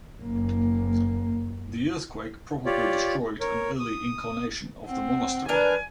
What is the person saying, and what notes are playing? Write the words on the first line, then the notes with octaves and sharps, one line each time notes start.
The earthquake probably destroyed an early incarnation of the monastery.
F#1 A#3
F4 G4 C#5 D5
A#4 C#5
D#6
C4 F#5
D4 A#4 B4 G#5